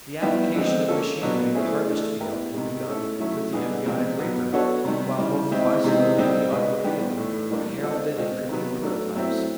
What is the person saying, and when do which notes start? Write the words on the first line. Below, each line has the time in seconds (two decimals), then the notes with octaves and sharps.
The application of machinery in the harvest-field had begun with the embryonic reaper, while both the bicycle and the automobile were heralded in primitive prototypes.
0.22 D#3 G3 B3 E4 G4
0.55 D3 F3 G#3 C4
0.88 A#3 C#4 F4 A4
1.21 B2 F#3 B3 D4
1.54 A3 C#4 E4 G#4 C5
1.87 E3 A3 D4
2.20 B3 E4 G4 A#4
2.54 C3 D#3 G#3
2.87 A3 C#4 E4 A4
3.20 D#3 F#3 A3 C#4 E4
3.53 D3 G3 B3 D#4 G#4
3.86 C3 F3 G#3 C4
4.19 B2 F#3 B3
4.52 B3 D4 F#4 A4 C#5
4.85 C3 D#3 G3
5.18 C#3 E3 G3
5.51 D#3 G#3 C4 E4
5.84 C3 E3 G#3 C4 D#4
6.17 D3 G3 C4 D#4
6.51 B2 G#3 B3
6.84 D#3 G3 B3 D4 G4
7.17 A2 E3 A3
7.50 E3 G3 A#3 D4
7.83 G#3 C4 F4 A4
8.16 B2 G#3 C4 F4
8.49 C3 D#3 F#3 B3
8.82 F#3 A3 D4
9.15 F#3 A3 C4 E4